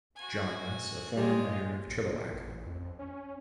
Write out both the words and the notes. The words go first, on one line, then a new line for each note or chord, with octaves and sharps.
John Les, a former mayor of Chilliwack.
F#4 G#5
G3 G#3 F4
A#1
A#2
A1
F2
C#4